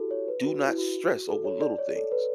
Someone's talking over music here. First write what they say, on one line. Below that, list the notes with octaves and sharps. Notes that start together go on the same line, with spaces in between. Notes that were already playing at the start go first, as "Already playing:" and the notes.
Do not stress over little things,
Already playing: E4 F#4 G4 A4
C#5
B4
F#4
E4
F#4
A4
C#5
D5
C#5
A4
B4